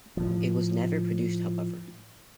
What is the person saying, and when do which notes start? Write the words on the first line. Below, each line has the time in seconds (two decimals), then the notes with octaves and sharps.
It was never produced however.
0.17 A2 F3